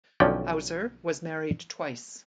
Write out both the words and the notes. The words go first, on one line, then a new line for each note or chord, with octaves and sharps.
Hauser was married twice.
B1 D3 F3 C#4 D5 G5